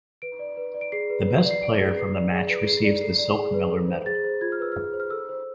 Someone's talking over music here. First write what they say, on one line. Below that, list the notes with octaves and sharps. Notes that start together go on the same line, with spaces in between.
The best player from the match receives the Silk-Miller Medal.
B4 D7
D5
B4
D5
D7
G#4 C7
B4
B4
D5
C7
D5 D7
G#4
B4 C7
D5
G#4
B4
D7
G#4 C7
D5
A4 C7
D5
G#4
B4
A4
C5
G#4 A6
C5
F4 G#6
F6
B4 E6
G#4 F6
C5
F6
A4 E6
C5